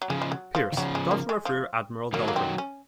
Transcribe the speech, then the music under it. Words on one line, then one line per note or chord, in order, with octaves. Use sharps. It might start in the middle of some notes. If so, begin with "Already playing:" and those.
Pierce, daughter of Rear Admiral Dahlgren.
F#3
C#3 F3 G#3
G#3
F#3
F3
D#3
C#3 F3 F#3
G#3
A#3
G#3
F3
D#3 F#3 A#3
A#3
C4
C#4